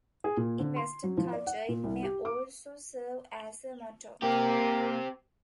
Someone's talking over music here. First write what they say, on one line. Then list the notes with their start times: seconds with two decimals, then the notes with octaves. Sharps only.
In Western culture, it may also serve as a motto.
0.24 G#4
0.37 A#2
0.59 D3
0.76 C6
1.03 F#3
1.17 F3
1.33 D5
1.47 F#5
1.69 A#2
1.84 C2
2.03 G4
2.25 D6
4.22 A#3 C4 G4